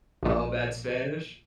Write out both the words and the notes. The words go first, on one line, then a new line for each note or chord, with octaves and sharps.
Oh, bad Spanish?
A#1 A#2